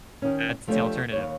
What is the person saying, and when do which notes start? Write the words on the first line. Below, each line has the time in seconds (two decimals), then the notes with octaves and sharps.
That's alternative.
0.22 D#3 C#4
0.67 F3 A3 D4 D#4 G4 C#5
1.12 D#2 C#5